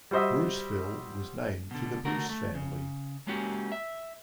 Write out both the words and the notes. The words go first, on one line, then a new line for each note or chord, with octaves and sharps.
Bruceville was named for the Bruce family.
G3 F#4 C5 D#5 E5
B2 D3
D3 A3 F#4 A#4
A3
C#3
G#3 A#3 C#4 F#4 G4
E5